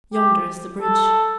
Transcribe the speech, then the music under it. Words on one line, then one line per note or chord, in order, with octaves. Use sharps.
"Yonder is the bridge."
G4
A4